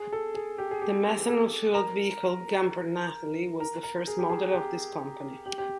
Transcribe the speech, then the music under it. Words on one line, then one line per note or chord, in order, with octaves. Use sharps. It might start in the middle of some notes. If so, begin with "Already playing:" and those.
The methanol fueled vehicle Gumpert Nathalie was the first model of this company.
Already playing: G#4
A4
G#4
G4
G#4
G4
A4
A#4
A#4
A#4
G#4
G4
G#4
G4
G4
G4